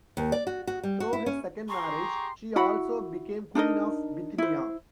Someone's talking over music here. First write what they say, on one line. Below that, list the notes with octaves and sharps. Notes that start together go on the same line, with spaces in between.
Through her second marriage, she also became Queen of Bithynia.
D#2
D5
F#4
F#4
G3
F#4
E4
C#4
G4 G#4 A#5 C6 C#6
E4 F#4 F#5 B5
D4 D#4 A#4 D#5
E4 C5